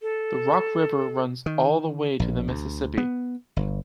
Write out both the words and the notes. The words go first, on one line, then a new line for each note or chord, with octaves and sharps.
The Rock River runs all the way to the Mississippi.
A4
D#3
A#1
D2
B3
G1